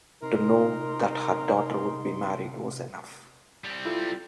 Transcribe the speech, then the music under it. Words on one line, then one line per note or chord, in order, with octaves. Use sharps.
To know that her daughter would be married was enough.
C3 D#4 A#4 C6
G3 C4
E4 F4 A4